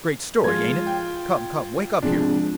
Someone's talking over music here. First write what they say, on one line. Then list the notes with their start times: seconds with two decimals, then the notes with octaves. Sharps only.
Great story, ain't it? Come, come, wake up here.
0.44 F3 G#3 F4 G#6
0.87 G5
2.02 C3 F3 G#3 D4